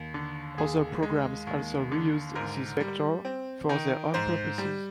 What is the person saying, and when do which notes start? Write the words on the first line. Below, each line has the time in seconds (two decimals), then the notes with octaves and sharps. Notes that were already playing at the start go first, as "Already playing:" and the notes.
Other programs also reused this vector for their own purposes.
Already playing: D#2
0.14 D3
0.57 D#2 G#4
1.03 G#3
1.47 D#2
1.92 D3
2.35 G#2 A#4
2.80 G3
3.25 C4
3.69 D#3
4.14 G#2 C5
4.58 G3